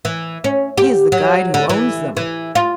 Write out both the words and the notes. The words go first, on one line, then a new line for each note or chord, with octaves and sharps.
'He is the guide who owns them.'
E3
C#4
G4
F#3
D3
E3
E3
F4